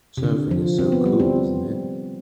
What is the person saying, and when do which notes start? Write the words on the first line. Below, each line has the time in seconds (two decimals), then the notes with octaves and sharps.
Surfing is so cool, isn't it?
0.17 C3
0.23 D3
0.51 F3
0.78 C4
0.92 B3
1.06 G3
1.20 C4